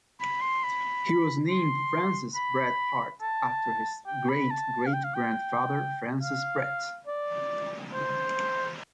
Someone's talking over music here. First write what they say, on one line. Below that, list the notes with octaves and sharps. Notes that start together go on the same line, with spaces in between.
He was named Francis Brett Hart after his great-grandfather, Francis Brett.
B5
C6
B5
C6
B5
A5
G5
B5
A5
F5
G5
F5
G5
F5
D5
C5